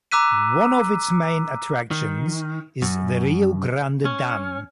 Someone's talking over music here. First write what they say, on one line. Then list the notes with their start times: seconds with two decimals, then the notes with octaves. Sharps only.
One of its main attractions is the Riogrande Dam.
0.11 A#5 D6 E6 F#6 B6 D#7
1.91 D#3
2.82 F#2
4.05 C#4